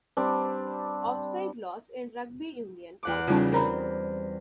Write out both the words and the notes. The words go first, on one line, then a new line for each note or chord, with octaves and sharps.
Offside laws in rugby union are complex.
G3 C4 D4
E2 F#5 D6
C#3 G3 C#4 D#4 F4
C4 A#4 A#5 B5